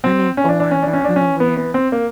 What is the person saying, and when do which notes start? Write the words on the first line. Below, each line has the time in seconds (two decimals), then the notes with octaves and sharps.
uninformed or unaware
0.04 C4
0.37 C#4
0.49 D4
0.60 D4
0.71 C#4
0.82 D4
0.93 C#4
1.04 D4
1.16 C#4
1.40 B3
1.57 B3
1.74 C4
1.92 A#3